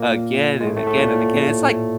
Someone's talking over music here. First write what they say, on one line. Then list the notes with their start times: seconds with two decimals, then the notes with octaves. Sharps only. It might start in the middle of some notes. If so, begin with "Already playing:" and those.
Again and again and again. It's, like,
Already playing: A#2 A#3
0.60 G#3
0.66 A2 A3
0.76 A2 A3
0.87 A2 A3
0.97 A#2 A#3